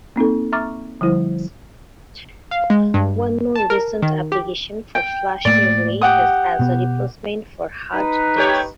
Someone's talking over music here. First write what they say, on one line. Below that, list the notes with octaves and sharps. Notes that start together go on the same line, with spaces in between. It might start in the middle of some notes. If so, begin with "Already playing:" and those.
One more recent application for flash memory is as a replacement for hard disks.
A#3 C4 D#4 A4
E5 A#5 C#6 D6 F6 A6
D3 F3 G3 E4 C5
F5
G#3
G2
A5
A#4
D#3
G4
G5
A2 A3 A#3 D5
G4 F#5 D#6
B2 B3
D#4 B4
A3 G4 C#5